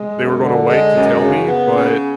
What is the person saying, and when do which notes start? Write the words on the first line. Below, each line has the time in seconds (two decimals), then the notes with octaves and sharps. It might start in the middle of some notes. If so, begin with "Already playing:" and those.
they were gonna wait to tell me, but
Already playing: G#3
0.15 F#2
0.41 D3
0.68 G#3
0.95 F#2
1.22 C#3
1.48 B3
1.75 C#3